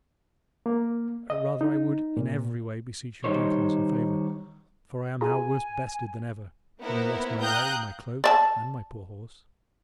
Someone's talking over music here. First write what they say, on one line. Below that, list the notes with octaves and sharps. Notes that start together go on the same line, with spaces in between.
Rather I would in every way beseech your gentleness and favour, for I am now worse bested than ever, having lost my way, my cloak, and my poor horse.
A#3
D#5
D#4
A#2
D#3 G3 D#4 C5 C#5
F4 G#4 G#5 A#5
A#3 B3 E4 A#4 C5
F5 G5 A#5 D#6 F#6 G6
D5 E5 A5